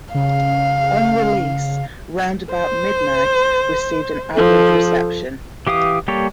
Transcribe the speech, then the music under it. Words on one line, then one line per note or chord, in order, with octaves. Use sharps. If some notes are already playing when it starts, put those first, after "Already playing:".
On release, "Round About Midnight" received an average reception.
C#3 F5
C5
F3 A4
E3 G4 F5 D#6
G3 A#3 G4 A4 C#5